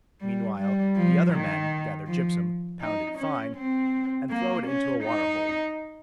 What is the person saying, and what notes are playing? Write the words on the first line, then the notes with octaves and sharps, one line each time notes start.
Meanwhile the other men gather gypsum, pound it fine, and throw it into a water-hole.
G3
G3
F3
D#3
F3
D#4
C#4
C4
A#3
C#4
D#4